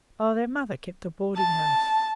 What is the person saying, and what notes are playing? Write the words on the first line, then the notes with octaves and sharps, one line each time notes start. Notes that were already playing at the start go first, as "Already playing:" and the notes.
'Oh! their mother kept a boarding-house.
A5